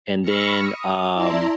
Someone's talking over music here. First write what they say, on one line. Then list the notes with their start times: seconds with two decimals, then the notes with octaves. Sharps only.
and then, um,
0.21 B5 C#6 E6 F6 A#6 C#7
0.61 D#6
1.14 E4 D5 E5 A5 A#5 C6